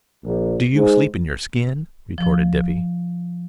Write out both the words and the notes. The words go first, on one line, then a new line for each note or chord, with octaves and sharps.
"Do you sleep in your skin?" retorted Dippy.
A#1
G#2
F3